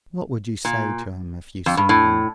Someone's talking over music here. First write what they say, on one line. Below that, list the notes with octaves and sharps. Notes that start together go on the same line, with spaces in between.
"What would you say to him if you saw him?"
A#2
F2
G2
A2